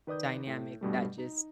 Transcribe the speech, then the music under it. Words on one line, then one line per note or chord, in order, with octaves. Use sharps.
dynamic that just
D#3 B4 D5 D#6 G6
A2
G2 B2 G3 A3
D#4